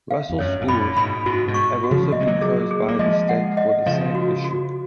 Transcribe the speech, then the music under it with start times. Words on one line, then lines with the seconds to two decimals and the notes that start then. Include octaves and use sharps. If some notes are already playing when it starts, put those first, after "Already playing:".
Russell Schools have also been closed by the state for the same issue.
0.11 F5
0.30 F2
0.39 F#2 C#5
0.61 G#2
0.68 F#2 A#2 B5
0.97 G#2 B2 B5
1.26 G#2 B2 F#4
1.47 G#2 B2
1.54 C#6
1.84 F#4
1.91 C#3 F3
2.12 A#3 D#5
2.20 G#3
2.27 F#3 A#3
2.41 G#4
2.71 G#4
2.88 A#3
2.99 F3 G#3 D#5
3.29 F#5
3.57 D#5
3.86 C#3 F3 F5
4.15 F#4
4.44 F#4